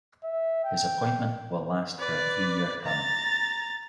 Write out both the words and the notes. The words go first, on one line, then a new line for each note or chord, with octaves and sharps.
His appointment will last for a three-year term.
E5
G5
B4 D5
A#5 A6